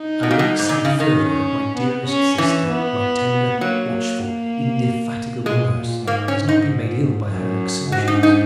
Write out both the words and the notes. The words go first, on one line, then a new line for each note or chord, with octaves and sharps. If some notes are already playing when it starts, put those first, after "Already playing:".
'I will only say further that my dearest sister, my tender, watchful, indefatigable nurse, has not been made ill by her exertions.
Already playing: D#4
B2
A#2
B2
G#2
A#2
C#3
D#3
C#4
B3
C#4
E3 C#4
B3
F#3 A#3
A#3
B2 G#3
A#2
G#2 A#3
C#4
D#4
F#2
G#2 F#4
D#4
D#4